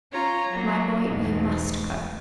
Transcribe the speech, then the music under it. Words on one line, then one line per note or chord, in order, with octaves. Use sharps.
'My boy, you must go.
C#4 F4 C#5 A#5
F#3 A#3
E2 G#2 B2